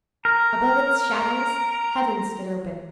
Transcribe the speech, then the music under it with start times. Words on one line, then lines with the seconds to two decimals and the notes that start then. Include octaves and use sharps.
Above its shadows heaven stood open.
0.25 A#4 A#5